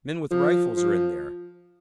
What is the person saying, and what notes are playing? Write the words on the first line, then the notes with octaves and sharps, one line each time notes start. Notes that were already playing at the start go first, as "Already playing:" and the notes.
Men with rifles are in there.
F3
F3